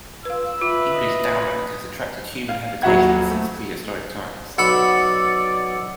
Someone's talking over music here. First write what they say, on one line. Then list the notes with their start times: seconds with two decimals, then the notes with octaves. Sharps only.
English downland has attracted human habitation since prehistoric times.
0.25 F4 B4 F5 E6
0.62 F4 B4 E5 B5
0.94 D#5
2.49 F5
2.82 D#1 F#3 F#4 E5 F#5 G#6
3.31 A3
4.58 B1 D5 F#5 B5 E6 C#7